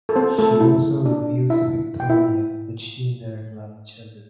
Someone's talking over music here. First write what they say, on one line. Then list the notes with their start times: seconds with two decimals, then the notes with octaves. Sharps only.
She also reveals to Victoria that she and Derek love each other.
0.09 A4
0.16 C4 C5
0.38 A3 A4
0.60 E4
1.06 D4
1.50 E4 E5
2.00 G5
2.09 E4 E5